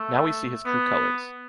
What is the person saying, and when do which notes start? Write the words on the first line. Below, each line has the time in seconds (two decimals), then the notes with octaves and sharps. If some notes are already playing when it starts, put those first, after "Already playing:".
Now we see his true colors.
Already playing: A3
0.65 B3